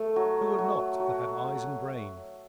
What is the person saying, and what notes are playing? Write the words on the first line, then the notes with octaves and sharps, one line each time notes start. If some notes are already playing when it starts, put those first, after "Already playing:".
Who would not that had eyes and brain?
Already playing: A3
F#3
F#3
F#3